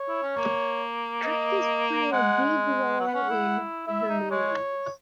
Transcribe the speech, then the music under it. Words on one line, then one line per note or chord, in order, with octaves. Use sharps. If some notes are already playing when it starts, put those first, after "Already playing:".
Actors play a big role in "The Movies".
Already playing: C#5
E4
C#4
A#3
D#5
G#3 F#5
F#3 F#5
B3
C#4
E4
E4 E5
D#4
G#3 C#5